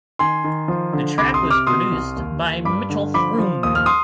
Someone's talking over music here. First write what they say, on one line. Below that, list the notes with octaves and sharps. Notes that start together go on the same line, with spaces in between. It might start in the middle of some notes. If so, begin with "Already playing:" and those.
The track was produced by Mitchell Froom.
D#3 G#5 C6
D#3
F3
D3
C2 B5 D6
C6 D#6
C3
D6 F6
B2 C6 D#6
C2
D#2
D#2
G2 B5 D6
D3
F3 B5 D6
F3
D#2 D#6
F6
C6 D#6